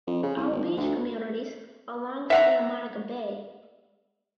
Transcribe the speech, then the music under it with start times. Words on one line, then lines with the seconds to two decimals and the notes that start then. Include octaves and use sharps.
All beach communities along Santa Monica bay.
0.07 F2
0.23 C#3
0.37 C2
0.51 G#1
0.64 F3
0.77 D2
2.30 E5 F#5 A#5